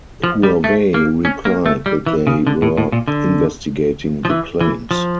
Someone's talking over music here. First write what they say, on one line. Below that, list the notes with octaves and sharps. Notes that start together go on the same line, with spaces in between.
Huawei replied that they were investigating the claims.
F3
G3
A3
A#3
C#4
A#3
A3
G3
E3
C#3
D3
A2
A2
A#2
D3
F3
E3
E3
F3